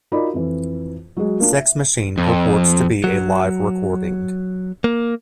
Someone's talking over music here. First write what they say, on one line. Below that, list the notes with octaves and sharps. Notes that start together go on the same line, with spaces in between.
"Sex Machine" purports to be a live recording.
D#4 F4 F#4 A#4 D5 B5
F2 E3
F#3 G#3
A#3 D4 F4
E5
F2
F#3
A#3